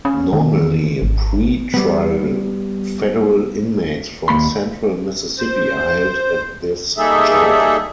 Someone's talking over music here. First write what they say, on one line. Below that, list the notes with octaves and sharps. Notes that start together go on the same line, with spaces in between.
Normally pre-trial federal inmates from central Mississippi are held at this jail.
C#4
D#3
G#1
G3 B3
D#2 A#3 B5 C6
C5
G3 A#3 D#4 G#4 A4 E5